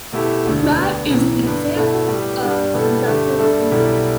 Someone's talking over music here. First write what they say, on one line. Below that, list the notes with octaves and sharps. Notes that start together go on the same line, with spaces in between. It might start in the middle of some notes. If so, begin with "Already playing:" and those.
That is an example of inductive reasoning.
B2 A3 E4 G4
E1 D2 D3
D2 D3 B3 D4
B1 A2 E3
G2 D3 B3
B2 A3 E4 A4
A2 G3 B3 G4 B4
G2 G3 D4 G4
B2 G3 B3 E4 A4
G2 D3 A3 G4 E5
G2 G3 D4 A4 E5
B1 B2 G3 E4 A4